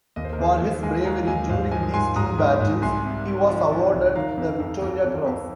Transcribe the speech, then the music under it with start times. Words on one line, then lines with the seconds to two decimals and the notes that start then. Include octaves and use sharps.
For his bravery during these two battles, he was awarded the Victoria Cross.
0.16 D#2 D#5
0.25 C5
0.33 A#4
0.38 D#2 G#4 C5
0.61 D#2
0.83 G#3 D#5 G#5
1.05 G#3 F5 A#5
1.27 D#2 D#5 G#5
1.49 G#2 C5 F5
1.71 F3 D#5 G#5
1.94 G#2 G#5 C6
2.16 G#2 A#5 D#6
2.38 G#2
2.60 G#2
2.82 C2 G#5 C6
3.05 C3
3.27 C3
3.49 F3
3.71 F3
3.93 C2
4.15 D#3 F5 A#5
4.38 F2
4.60 F2
4.82 F2
5.05 F2
5.26 F2